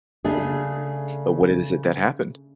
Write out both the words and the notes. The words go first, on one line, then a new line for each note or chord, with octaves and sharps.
But what it is that happened?
C#3 A3 D4 G#4